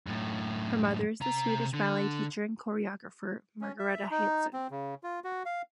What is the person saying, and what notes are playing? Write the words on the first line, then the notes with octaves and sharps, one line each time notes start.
Her mother is the Swedish ballet teacher and choreographer Margareta Hanson.
F#2 A2
C3 A#5
D3
C#4
E5
D#4
C4
C#3
F4
F#4
F5